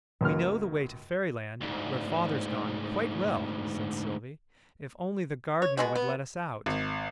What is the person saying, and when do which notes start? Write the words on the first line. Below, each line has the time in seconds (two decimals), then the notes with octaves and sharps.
"We know the way to Fairyland--where Father's gone--quite well," said Sylvie: "if only the Gardener would let us out."
0.21 C#2 F#2 A#3 F6
1.61 D2 G#2
5.62 C#5
5.77 B2 G#3 F#4
5.95 B3
6.66 G#1